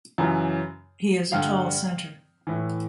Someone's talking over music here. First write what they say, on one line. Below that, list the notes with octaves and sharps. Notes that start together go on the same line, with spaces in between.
He is a tall center.
F#2 C#3 E3
G2 D3 F5 G5
A2 E3